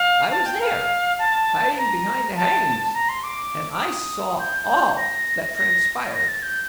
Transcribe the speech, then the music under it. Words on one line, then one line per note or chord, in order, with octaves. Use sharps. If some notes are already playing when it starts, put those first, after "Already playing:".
I was there, hiding behind the hangings, and I saw all that transpired.
Already playing: F5
A5
G5
F5
A5
A#5
A5
A#5
C6
D6
D6
D#6
G6
A#6
A#6
A#6
A6
G6